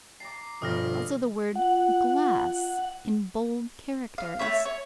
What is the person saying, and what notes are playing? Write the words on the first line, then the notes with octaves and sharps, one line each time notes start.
Also the word GLASS in bold characters.
A5 A#5 D6 C7
G1 B2 F3 G3 D#6 F6 A#6
F4 F#5
F5
A3 C#4 C#5 E5
C#5